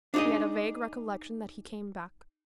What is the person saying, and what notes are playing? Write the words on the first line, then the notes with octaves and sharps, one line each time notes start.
She had a vague recollection that he came back.
D4 D#4 F#4 G#4 D#5